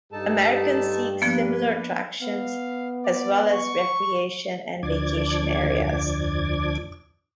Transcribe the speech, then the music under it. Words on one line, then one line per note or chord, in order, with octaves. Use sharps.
Americans seek similar attractions, as well as recreation and vacation areas.
G2 D#4 G4 A4 A5
F3 A#3 B3 D4 B4
B3 F5
D5
C#6
D2 F3 D4 D5 D6 G#6